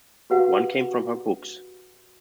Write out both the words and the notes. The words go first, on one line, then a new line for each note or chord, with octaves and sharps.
One came from her books.
F#4 G4 B4 F5 F#5